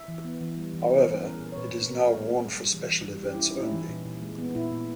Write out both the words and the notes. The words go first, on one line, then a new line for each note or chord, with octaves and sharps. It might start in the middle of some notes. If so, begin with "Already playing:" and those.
However, it is now worn for special events only.
Already playing: E5
E3
B3
E3
G3
E3
B3
E3
C#4 A#4
G#4
A#2
A#4
C#5
A#2 B4
A#2
C#4 A#4
G3
A#3 G#4
A#2
G3
E3
E3
G3
C#4 G4
C#4 E4
D#4
C#4 E4
E3
A#2
A#2
G#3
B3
A#2 E4
A#2